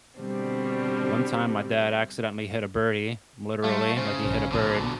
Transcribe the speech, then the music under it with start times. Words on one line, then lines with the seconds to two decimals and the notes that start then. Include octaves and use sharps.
one time my dad accidentally hit a birdie, literally, like, he hit a bird.
0.21 B2 D3 G3 C4 D4
3.64 G3 A3 F5
3.97 C#3 C5
4.24 A#1 C5
4.52 B2 D3